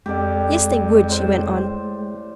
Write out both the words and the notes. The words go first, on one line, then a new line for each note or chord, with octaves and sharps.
"Yes, they would," she went on.
F2 G#3 G4 A4 D5
A2 C5